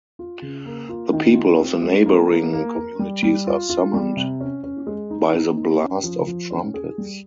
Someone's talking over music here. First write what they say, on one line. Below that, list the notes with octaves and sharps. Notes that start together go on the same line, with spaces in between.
The people of the neighboring communities are summoned by the blast of trumpets.
F4
C#3
A#3
F4
D#3
F4
C4
G#3
A#3
A#3
A#3
A#4
G3
G3
F4
F4
G3
C3
C#4
C#4
G#3
D#4
D#4
D#4
C#4
F3
F3
C#4
G#4
G3